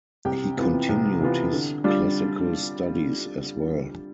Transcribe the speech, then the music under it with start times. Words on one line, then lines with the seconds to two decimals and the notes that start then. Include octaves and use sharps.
He continued his classical studies as well.
0.25 C2 G4 G5
0.57 C3 E3 B3 F4
0.89 C2
1.20 C3 E3 B3 F4
1.52 D3
1.84 G3 D4 F4